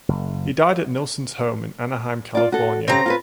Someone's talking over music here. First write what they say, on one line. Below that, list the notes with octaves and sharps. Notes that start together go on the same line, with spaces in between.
He died at Nilsson's home in Anaheim, California.
F#1
F4 D5
F#4 A4
C#3 C4 G4 A#5
F4 A4 B4